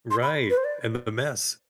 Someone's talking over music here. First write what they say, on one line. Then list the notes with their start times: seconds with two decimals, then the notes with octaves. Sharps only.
Right, and the mess.
0.11 C6
0.23 B5
0.50 B4
0.57 C5
0.64 D5